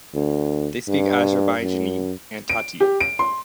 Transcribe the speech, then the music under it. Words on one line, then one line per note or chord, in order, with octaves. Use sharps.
They speak Azerbaijani and Tati.
D2
G2
F#2
D7
G4
D7
C6